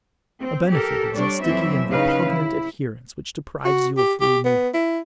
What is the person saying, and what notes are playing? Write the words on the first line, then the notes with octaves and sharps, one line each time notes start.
A benefit is a sticky and repugnant adherence which deprives you of free movement.
C4
G4 A4 A#4
G3 D4 C#5 D5
F2 E3 F#3 C4 E4 E5
C#3 D#4 B4 F5
E4
F#4
G4
G4
B3
E4